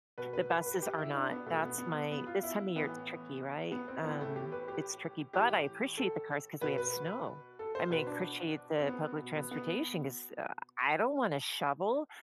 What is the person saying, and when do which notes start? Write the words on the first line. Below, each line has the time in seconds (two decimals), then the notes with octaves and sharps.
the buses are not, that's my This time of year, it's tricky, right, um, it's tricky, but I appreciate the cars 'cause we have snow, I may appreciate the public transportation, 'cause, uh, I don't wanna shovel.
0.18 B2 B4
0.33 B4
0.50 B4
0.66 B4
0.82 G4
0.98 E4
1.15 D4
1.30 B3
1.46 B2 A3
1.63 B3
1.78 B3
2.11 B3
2.27 F4
2.43 E4
2.76 A2 E3 B3
3.72 B3
3.88 C4
4.04 A2 E3 B3
4.21 A3
4.36 G4
4.52 B4
4.68 G4
5.33 A2 E3 G4
5.98 A4
6.61 B2 B4
6.78 B4
7.59 A4
7.75 C5
7.90 B2 B4
8.07 D4
8.78 C4
8.87 B3
9.19 B2
9.36 B3
9.51 B3